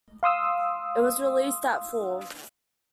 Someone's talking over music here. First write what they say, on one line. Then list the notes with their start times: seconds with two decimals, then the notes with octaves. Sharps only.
It was released that fall.
0.23 F5 C6 D#6 E6